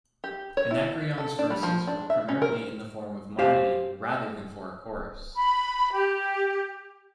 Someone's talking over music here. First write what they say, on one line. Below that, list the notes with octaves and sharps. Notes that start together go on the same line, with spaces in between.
Anacreon's verses were primarily in the form of monody rather than for a chorus.
G4
C#5
E4
A4
D4
G3
F3
D4
E5
C#4
A#4
G4 C5 F5
B5
G4